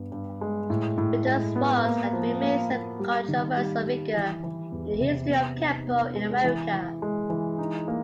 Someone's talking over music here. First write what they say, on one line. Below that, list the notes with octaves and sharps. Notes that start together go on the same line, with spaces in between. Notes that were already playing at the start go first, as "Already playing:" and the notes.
Mitose was and remains a controversial figure in the history of Kenpo in America.
Already playing: G2 B3
G2
G#3
A2
A2
G#3
B3
A#3
F3
A#3
A#3
G3
D#3
G3
G3
E3
E3
E2
C3
B3
D#4
B3
G#3
E3
E3
G#3
E3
D#4
A#3